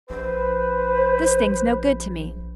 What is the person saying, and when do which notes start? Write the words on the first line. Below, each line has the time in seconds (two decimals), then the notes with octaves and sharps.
This thing's no good to me.'
0.10 A#1 B4 C5